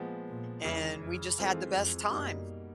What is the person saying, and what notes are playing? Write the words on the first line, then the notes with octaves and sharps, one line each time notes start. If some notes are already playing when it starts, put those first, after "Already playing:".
and we just had the best time.
Already playing: A#2 F3 G#3 B3
A#2
E2 C#3 E3 G#3
F2
E3 G#3 C4 F4 A4
F2
F#2 B2 G3 A#3 D#4